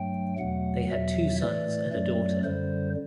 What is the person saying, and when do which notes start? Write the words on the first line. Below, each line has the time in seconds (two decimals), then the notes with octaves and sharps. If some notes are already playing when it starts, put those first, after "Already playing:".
They had two sons and a daughter.
Already playing: G2 F#3 A3 G5
0.38 E2 B2 F#3 A3 F#5
0.90 E2 B2 F#3 E5
1.41 A2 E3 A3 D5
1.93 F#2 F#3 A3 D5
2.44 F#2 D3 G3 C5